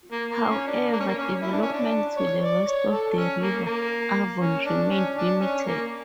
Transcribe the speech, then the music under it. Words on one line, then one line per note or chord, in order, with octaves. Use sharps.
However, development to the west of the River Avon remained limited.
A#3
A#3
C#4
D4
A#3
C#4
A#3
C#4
E4
D4
C#4
D4
C#5
D5
C#5
A4
C#4
A#3
A#3
C#4
D4
C#4
D4
C#4
A#3